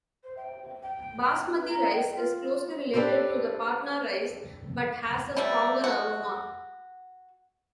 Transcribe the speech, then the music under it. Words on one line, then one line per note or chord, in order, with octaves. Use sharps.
Basmati rice is closely related to the Patna rice but has a stronger aroma.
C5
G5
G5
D#4
B4
A#5
G5
F4
D4 G4 A4 B4 C5
G3 A3
F#4